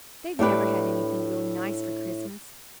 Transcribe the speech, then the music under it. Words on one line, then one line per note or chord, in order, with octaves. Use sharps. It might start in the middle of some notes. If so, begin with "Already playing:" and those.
They've never had anything really nice for Christmas.
A2 D4 G4 B4